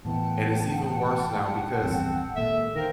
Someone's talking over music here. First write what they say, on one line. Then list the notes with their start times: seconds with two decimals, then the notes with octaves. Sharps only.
And it's even worse now because
0.05 A2 E3 B3 F#5 G5 A5
1.81 A#1 E2 G2 C4
2.36 G#1 A#2 A#3 A4 E5
2.75 D#3 A#4 C5 F5 G5